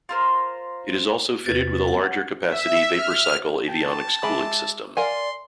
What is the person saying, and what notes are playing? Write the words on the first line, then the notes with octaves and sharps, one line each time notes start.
It is also fitted with a larger capacity vapor cycle avionics cooling system.
F4 A#4 C5
E2 C3 F4 B4 A6
F#5
E5
F6
G5 A5
G#3 E5 B5 D6
A#4 D5 F5 G#5 C6